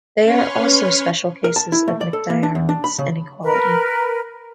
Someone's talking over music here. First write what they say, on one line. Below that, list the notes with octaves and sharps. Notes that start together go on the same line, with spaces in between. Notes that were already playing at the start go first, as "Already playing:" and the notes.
They are also special cases of McDiarmid's inequality.
C#4 B4 C#5 C6 F6
A#4
A5
E4
A3
D5
A4
A#3
D4
E2
D4
B5
C#3
A#4 B4